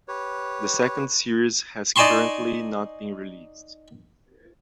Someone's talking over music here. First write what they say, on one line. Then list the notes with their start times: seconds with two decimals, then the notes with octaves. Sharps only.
The second series has currently not been released.
0.08 G4 B4 C#5
1.96 D#4 D5 G#5 A5 C6 C#6